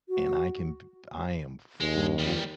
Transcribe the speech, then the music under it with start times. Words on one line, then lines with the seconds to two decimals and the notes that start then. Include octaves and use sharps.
And I can p p I am frugal
0.09 F#4
1.80 D#2 G#3
2.19 D#3 G3